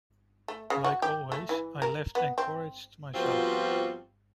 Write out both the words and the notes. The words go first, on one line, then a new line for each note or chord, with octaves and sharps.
Like always, I left encouraged myself.
A3
C#3
F#4
G4
A3
E3
A#4
B3
C4
F3 G3 B3 C4 F4 F#4